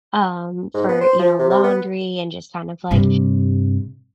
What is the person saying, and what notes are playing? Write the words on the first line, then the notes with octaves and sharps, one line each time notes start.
um, for, you know, laundry and just kind of, like,
G#2
B3
C5
F3
C3
C3
B3
G2 C3